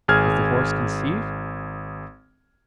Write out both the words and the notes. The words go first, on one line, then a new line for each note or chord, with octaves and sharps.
Has the horse conceived?
G#1 G#4 F6 G#6